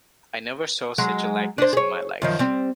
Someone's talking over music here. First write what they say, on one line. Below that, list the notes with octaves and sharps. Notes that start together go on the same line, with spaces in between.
I never saw such a likeness in my life.
F#3 G#3
D4 C5
G#4 C#5
F#2 D#3 F3
G3 C4